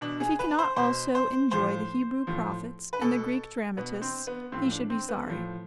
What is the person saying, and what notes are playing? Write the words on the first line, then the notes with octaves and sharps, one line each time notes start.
If he cannot also enjoy the Hebrew prophets and the Greek dramatists, he should be sorry.
B2 D4
G#4
B4
C5
B2 C5
C5
A2 F3 C5
A2 F3
B4
B2 A4
B2 B3
C4
B3
A2 F3 C4
D4
C4
B3
A2 F3